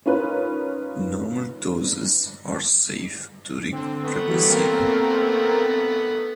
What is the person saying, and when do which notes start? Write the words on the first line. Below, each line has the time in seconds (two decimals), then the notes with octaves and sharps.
Normal doses are safe during pregnancy.
0.06 C#4 D#4 F4 A#4 B4
3.72 D3 C4
4.04 A3 B3
4.27 E3 F#3 G3
4.49 A#3 C4 A#4